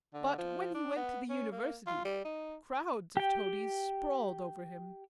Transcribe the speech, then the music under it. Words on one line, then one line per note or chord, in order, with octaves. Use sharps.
But when he went to the University, crowds of toadies sprawled over him.
D3
F3
D4
B3
C#4
A#3
F4
G3
D#4
G4 G5